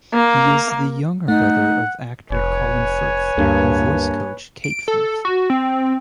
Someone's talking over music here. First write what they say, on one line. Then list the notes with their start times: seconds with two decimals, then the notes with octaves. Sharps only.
He is the younger brother of actor Colin Firth and voice coach Kate Firth.
0.14 A#3
1.28 A3 D#4 F#5
2.31 F1 B4 C#5 G#5
3.38 D2 G2 A#3
4.64 D7
4.88 A4
5.25 F#4
5.50 C4